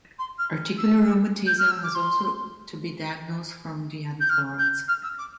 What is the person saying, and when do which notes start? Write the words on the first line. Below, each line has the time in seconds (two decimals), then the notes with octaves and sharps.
Articular rheumatism has also to be diagnosed from the other forms.
0.18 C6
0.38 F6
0.77 E6
1.46 G6
1.58 F6
1.70 E6
1.82 D6
1.95 C6
4.20 G6
4.29 F6
4.58 G6
4.88 F6
5.03 E6
5.17 D6